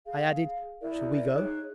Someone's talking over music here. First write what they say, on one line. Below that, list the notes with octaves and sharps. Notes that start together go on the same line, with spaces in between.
I added, "Shall we go?"
G#4 F5
E4 A#4 D5 E5
D#4 G#4 C#5 F#6